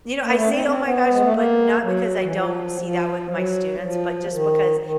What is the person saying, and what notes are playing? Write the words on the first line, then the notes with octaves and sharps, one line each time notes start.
You know, I say, oh my gosh, but not because I don't see that with my students, but just because
A#3
A3
C#4
C4
C4
B3
G#3
A3
A#3
F#3
E3
F3
F3
F#3
F3
D#3
D#3